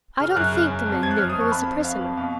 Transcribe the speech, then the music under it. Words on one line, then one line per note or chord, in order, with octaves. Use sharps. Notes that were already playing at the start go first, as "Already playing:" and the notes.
I don't think the man knew he was a prisoner.
C#3 F6
F6
F#2 F#6
C#3 F#6
F#2
F2
F3 G#6
F#6
F3 F6
D#6
F3
C#6
F2 B5
F3
F2 F5
B4
F2
B2 F5